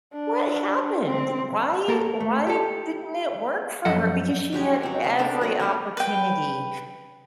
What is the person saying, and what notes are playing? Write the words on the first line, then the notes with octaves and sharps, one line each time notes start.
what happened? Why why didn't it work for her?" Because she had every opportunity,
D4
C4
A#3 A4 A#4
A3
G4 A4
F#2 F3 A4 D#5 F#5
F#3 G#3 G4 G#4
F#3 C4
C3 C4 D4
D4 D#4 A4 A#4
F#3 A3 D#5 F#5
D4 G4 C#5 F#5
B4 G5